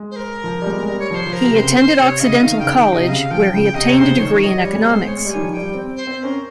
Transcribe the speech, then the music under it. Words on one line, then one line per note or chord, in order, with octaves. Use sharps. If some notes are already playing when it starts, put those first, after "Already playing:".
He attended Occidental College, where he obtained a degree in Economics.
Already playing: G#3
C5
A#4
F3
G3
G#3
G#3
G3
C#5
F3 C5 C#5
F3
A#4
C3
C5
C#3
C5
C3 C#5
C#3 D#5 F5
D#3 F5
C#3 G5
D#3 G5
C3 D#5
C#3 F5
F3 G5
C#3 G5
C3 D#5
C3 C#5
C#3 C5
F3
D#3 C#5
F3 D#5
G3
C#5
G#3
C5
G#3
G#3 C#5
G3
G#5
D#3
F3
G5
G3
C4
C5
C4
C5
C#4 A#4